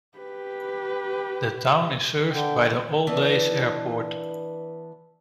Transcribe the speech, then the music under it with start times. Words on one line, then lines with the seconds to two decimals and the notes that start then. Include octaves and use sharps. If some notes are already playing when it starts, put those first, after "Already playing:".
The town is served by the Alldays Airport.
0.18 G4 B4
2.30 D3 G5
3.07 E3 B3 D4